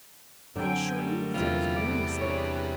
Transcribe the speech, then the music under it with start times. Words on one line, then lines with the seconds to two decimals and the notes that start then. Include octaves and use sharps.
I assure you there is no mistake. . . .
0.56 F#2 D3 C4 D4 G5 G#5
0.97 G3 A3 A#4
1.34 E2 C3 G3 F4
1.76 A3 B3 A4 D5
2.21 D4 G#4 B4 C#5